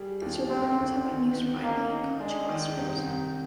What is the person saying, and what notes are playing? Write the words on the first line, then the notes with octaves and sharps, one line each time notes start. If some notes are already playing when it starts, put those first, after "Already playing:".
These recordings have been used widely in college classrooms.
Already playing: G3 G#4
D#2
D2 C4
D2
D#3
D#3
A#3 D#4
D#4
G#3 D4
D#3
C2
C2